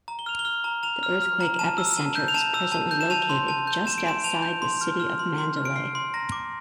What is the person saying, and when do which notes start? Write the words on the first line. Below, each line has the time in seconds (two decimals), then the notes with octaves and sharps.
The earthquake epicenter is presently located just outside the city of Mandalay.
0.08 A#5
0.19 G7
0.26 F6 F7
0.39 G7
0.45 F6
0.64 A#5
0.83 A#5 F7
1.03 F6
1.22 F6
1.41 A#5
1.59 A5 E7
1.78 E6
1.97 A5
2.15 G6
2.28 F7
2.34 A5 E7
2.54 E6
2.72 A5
2.91 G6
3.01 E7
3.10 A5 F7
3.29 C6
3.48 A5
3.67 G6
3.86 A5 E7
3.98 D7
4.06 C6 E7
4.24 A5 F7
4.42 G6
4.62 C6
4.81 F6
5.00 F6
5.19 C6
5.38 C6
5.56 F6
5.65 D7
5.76 F6 C7
5.95 C6
6.14 A#5 A#6
6.32 D6